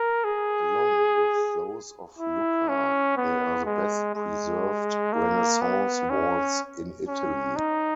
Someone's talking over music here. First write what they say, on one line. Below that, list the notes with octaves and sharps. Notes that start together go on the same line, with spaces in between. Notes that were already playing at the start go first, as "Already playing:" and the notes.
Along with those of Lucca, they are the best preserved Renaissance walls in Italy.
Already playing: A#4
G#4
E4
C#4
B3
G#3
G#3
A#3
B3
C#4
C#4
D#4